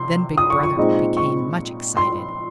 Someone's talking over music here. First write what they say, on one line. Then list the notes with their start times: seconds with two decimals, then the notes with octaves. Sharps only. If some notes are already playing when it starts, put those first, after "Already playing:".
Then Big Brother became much excited.
Already playing: C3 C6
0.38 D#6
0.50 C#6
0.63 C#6
0.77 A#2 G#3 C4 D#4
1.17 C#6
1.97 C6